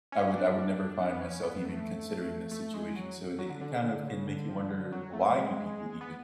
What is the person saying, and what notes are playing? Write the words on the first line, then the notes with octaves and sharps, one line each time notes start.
I would I would never find myself even considering that situation. So it it kind of can make you wonder why do people even,
C#4
C#4
D4
B3
C#4
B3
A3
A3
G#3
F#3
F#3
D3
D3
C#3
D3
C#3
D3
F3
D3
F#3
A3
G#3
F#3
G#3
B3